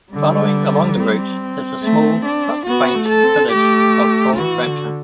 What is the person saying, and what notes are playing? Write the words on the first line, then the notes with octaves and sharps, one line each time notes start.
Following along the route is the small, but quaint village of Old Brampton.
D3 G3
C4
A3
D4
B3 F#4
A3
A4
C4
A3 G4
E3 F#4
D3